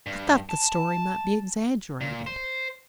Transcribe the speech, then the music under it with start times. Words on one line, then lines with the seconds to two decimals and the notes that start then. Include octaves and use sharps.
I thought the story might be exaggerated.
0.06 G2
0.49 A5
2.01 A#2
2.27 C5